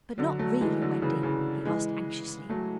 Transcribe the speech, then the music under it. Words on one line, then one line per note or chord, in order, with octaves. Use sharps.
'But not really, Wendy?' he asked anxiously.
D3 F#3
F#3 A3
E3 G#3
D3 F#3
C#3 E3
C#3 E3
E3 G#3
F#3 A3